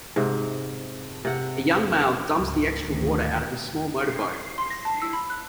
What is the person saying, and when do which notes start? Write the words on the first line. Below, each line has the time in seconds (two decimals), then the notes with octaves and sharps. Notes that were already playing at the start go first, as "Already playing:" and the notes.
A young male dumps the extra water out of his small motorboat.
0.16 G#2 C3
1.25 C3 F#5
2.37 C#2 G#2
2.83 A1 D2 G#2 D#3 F3
4.58 C6
4.70 A#6
4.85 A5
5.02 E6
5.13 B5
5.30 F#6